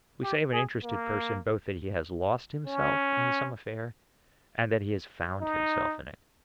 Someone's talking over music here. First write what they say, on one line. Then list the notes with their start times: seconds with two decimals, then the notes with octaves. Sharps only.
We say of an interested person both that he has lost himself in some affair and that he has found himself in it.
0.23 G4
0.53 G#4
0.84 A#3
2.67 C#4
5.41 D#4